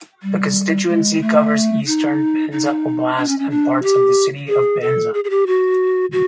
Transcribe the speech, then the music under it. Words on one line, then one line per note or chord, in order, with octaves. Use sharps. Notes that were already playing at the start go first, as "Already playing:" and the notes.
The constituency covers eastern Penza Oblast and parts of the city of Penza.
G3
G#3
A3
D#4
D#4
D4
C#4
C#4
D4
G4
G#4
A4
G#4
G#4
G4
F#4
F#4